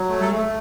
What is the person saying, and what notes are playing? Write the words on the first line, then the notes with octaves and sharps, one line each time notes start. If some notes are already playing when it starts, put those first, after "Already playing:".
you know?
Already playing: F#3
A3
A4
A3